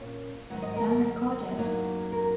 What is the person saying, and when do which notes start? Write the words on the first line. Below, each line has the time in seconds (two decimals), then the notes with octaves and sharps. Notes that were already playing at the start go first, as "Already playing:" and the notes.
Some record it.
Already playing: A#2 A#3 C#4 C#5
0.50 G#2 D#3 F#3 F#5
0.62 D#5
0.76 A#4
0.90 A#4
1.58 F#2 F#3 A#3 D#4
2.12 A#4